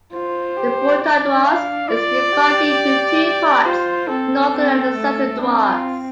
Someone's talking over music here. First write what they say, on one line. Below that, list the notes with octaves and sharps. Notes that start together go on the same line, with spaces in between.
The Bhutan Duars is divided into two parts: the northern and the southern Duars.
F4 C5
G4
D4 D5
F5
F4 D5
G4
F4 C5
C4 A4
C4
A3
C4 D4
F4